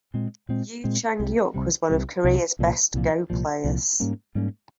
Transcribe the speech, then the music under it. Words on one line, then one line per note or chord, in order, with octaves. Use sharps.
Yoo Changhyuk was one of Korea's best Go players.
A#2 G#3 C4
A#2 G#3 C4
A#2 G#3 C4
C2 C3 G3
C2 C3 G3
C2 C3 G3
C2 C3 G3
C2 A#2 F3
C2 A#2 F3
C2 A#2 F3
C2 A#2 F3
G#2 G3 A#3 C#4
G#2 G3 A#3 C#4